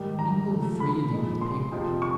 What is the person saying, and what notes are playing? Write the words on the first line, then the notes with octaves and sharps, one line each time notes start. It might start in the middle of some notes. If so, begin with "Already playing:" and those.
Mingle freely with people.
Already playing: G#2 D#3 G3
A#5
C#3 F3 A3
B5
A#2 F3 G#3
C6
F2 C3 F3 G#3
C#6